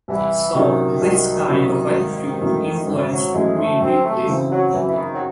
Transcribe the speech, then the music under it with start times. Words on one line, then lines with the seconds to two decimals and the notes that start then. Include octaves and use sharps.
So this kind of attitude influenced me deeply.
0.08 C2 E3
0.55 C3 D#3 F#3 C#4 E4
1.02 C2
1.48 C3 F#3 C#4 E4
1.95 G#1
2.41 F#2 E3 A3
2.87 G#1 E3
3.11 F#3
3.34 F#2 E3 G#3 A3
3.58 A3
3.81 F#2 C4
4.04 A3
4.27 C#3 E3 C4
4.51 F#3
4.74 F#2 E3
4.89 E3
4.97 D#3
5.15 F#3